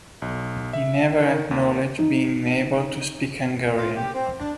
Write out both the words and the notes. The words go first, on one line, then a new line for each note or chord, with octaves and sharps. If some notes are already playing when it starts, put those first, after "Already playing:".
He never acknowledged being able to speak Hungarian.
B1
E5
D#3
D#2
D#4
F4
G4
C4
D4